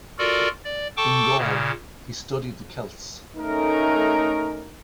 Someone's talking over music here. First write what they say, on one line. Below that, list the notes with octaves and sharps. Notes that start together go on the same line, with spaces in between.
In Gaul, he studied the Celts.
F4 F#4 A4 A#4 D5
D5
A4 G5 A5 C#6 D6
A#2 C#3
A3 C#4 D#4 A#4